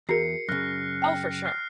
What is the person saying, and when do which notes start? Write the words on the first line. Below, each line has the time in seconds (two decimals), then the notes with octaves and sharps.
Oh, for sure.
0.09 E2 F#4 G#4 A#4 A#5 C7 C#7
0.48 F#2 C#3 F6 F#6 A#6
1.02 G5
1.46 F6 C7